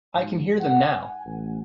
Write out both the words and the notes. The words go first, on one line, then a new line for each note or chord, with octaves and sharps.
I can hear them now.
G#2
F#5
G#5
A1